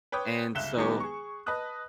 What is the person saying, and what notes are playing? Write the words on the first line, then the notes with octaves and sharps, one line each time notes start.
And so
B4 C#5 G5 D6 D#6
G1 C#2 E5 F#6 E7 G7
D#3 F#3 G#3 B3 G4 G#4
G#4 C#6
B4 D#5 A5 D#6 F#6